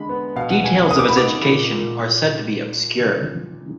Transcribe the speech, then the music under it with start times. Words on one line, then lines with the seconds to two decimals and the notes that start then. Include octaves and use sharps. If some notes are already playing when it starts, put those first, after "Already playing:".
Details of his education are said to be 'obscure'.
Already playing: D3 G#3 D4 B5
0.09 B3
0.36 B2 F5
0.50 F#5
0.64 B2 G#5
0.78 G#5
0.91 A#3 D#6
0.99 D6
1.09 B5
1.17 D#4 D6
1.45 A#2
1.72 A#2